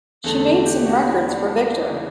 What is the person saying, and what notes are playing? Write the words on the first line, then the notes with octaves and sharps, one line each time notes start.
She made some records for Victor.
E2 D3 A3 A4
G4
G4
F#4
E4
D4
D4
C#3 E3